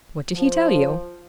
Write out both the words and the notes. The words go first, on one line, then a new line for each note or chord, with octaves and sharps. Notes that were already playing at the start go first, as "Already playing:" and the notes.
"What did he tell you?"
F3